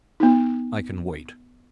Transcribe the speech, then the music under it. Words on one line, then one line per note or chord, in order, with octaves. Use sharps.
I can wait.
B3 D#4